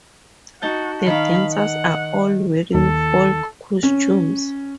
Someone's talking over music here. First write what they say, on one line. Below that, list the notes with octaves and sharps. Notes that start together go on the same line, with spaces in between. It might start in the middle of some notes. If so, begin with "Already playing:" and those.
The dancers are all wearing Folk costumes.
D#4 F#4 A5 G6
D#3 D#4 F5 B5
F#5
D#2 A4
C#4